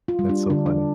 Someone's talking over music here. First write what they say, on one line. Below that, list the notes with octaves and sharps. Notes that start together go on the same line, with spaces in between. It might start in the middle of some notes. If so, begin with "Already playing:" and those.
That's so funny.
F4
G3
D4
D3 D4
D4